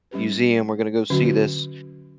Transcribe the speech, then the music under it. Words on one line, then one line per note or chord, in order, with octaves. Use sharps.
museum, we're gonna go see this,
G3 C#4 G4 B4
D3 F#3 C#4 F#4